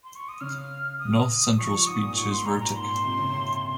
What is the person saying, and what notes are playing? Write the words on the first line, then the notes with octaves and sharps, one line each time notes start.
North Central speech is rhotic.
C6
C#6
D#6
C#3 F6
D#6
F3 C#6
G3
G#2 D#6
A#2
G#2 C#6
C6
A#2 A#5
A#5
G#2 C6
A#2
C3
C#3
C3